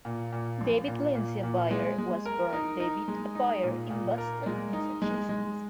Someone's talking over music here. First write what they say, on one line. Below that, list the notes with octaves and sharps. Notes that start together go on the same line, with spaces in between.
David Lindsay-Abaire was born David Abaire in Boston, Massachusetts.
A#2
A#2
A#1
A#2
A#2
A#2
G#3
G#3
A#4
D#4
D#4
G#3
D#4
A#2
A#2
A#4
G#3
D#4
G#3
G#3